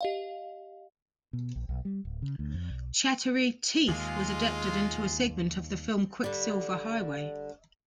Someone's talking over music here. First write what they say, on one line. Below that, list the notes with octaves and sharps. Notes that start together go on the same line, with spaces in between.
"Chattery Teeth" was adapted into a segment of the film "Quicksilver Highway".
G4 D#5 F5
B2
A#1
B1
G3
D1
C#3
D2
F2
B1
D#2 G#3 F4
D3 G3